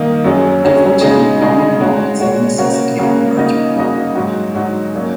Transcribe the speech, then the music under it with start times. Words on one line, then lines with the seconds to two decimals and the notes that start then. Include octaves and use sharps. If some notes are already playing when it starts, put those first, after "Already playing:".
Unfortunately, falling enrolments have necessitated the merger.
Already playing: D#3 A#3 D#5
0.24 F#2 F#3 C#4 G#4
0.63 F#2 F#3 C#4 G#4
1.01 C#3 G#3 D#4 G#4 D#5
1.41 C#3 G#3 D#4 G#4 D#5
1.80 G#3 F#4 C#5
2.20 G#3 F#4 C#5
2.58 C#3 A#3 F#4 A#4 C#5
2.98 C#3 A#3 F#4 A#4 C#5
3.37 C#3 A#3 D#4 F#4 D#5
3.76 C#3 A#3 D#4 F#4 D#5
4.15 G#2 F#3 D#4 F#4
4.54 G#2 F#3 D#4 F#4
4.95 F#3 A#3 C#4